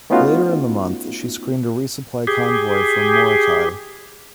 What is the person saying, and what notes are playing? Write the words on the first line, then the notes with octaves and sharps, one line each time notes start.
Later in the month, she screened a resupply convoy from Morotai.
A3 B3 C#4 D#4 F4 F#4
G4 G#4